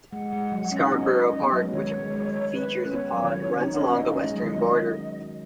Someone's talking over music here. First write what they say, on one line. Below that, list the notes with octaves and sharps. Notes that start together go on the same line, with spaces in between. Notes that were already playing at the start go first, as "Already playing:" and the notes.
Scarborough Park, which features a pond, runs along the western border.
G#3 F#5
G#3
F#3
F#3
C#4
D#4
C#4 D#5
C#4
B3
F#3
G#3
D#3 C#5
G#3
G#3
B4
C#4
B3 C#5
F#3
D#3
F#3
C#4
D#4
C#4 F#5
D#5
C#4
D#4
C#4
G#3
F#3
D#3
F#3